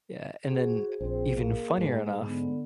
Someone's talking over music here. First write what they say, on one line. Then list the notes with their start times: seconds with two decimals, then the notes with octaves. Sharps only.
Yeah, and then even funnier enough,
0.48 F#4 G#4 C5
1.01 A#1 C4 C5
1.33 A#3
1.78 G#2 G#3
2.24 D3 B3